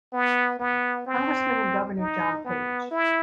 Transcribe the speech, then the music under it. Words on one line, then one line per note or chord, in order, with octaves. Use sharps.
Congressman and Governor John Page.
B3
B3
C4
D#4
B3
E4